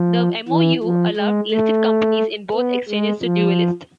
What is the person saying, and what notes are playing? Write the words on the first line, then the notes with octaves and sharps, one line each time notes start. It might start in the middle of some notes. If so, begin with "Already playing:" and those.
The MoU allowed listed companies in both exchanges to dualist.
Already playing: F3
E3
F3
G#3
A3
B3
G#3
F3